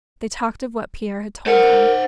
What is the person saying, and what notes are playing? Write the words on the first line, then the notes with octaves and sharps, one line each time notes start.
They talked of what Pierre had told them.
A#4 C5 F#5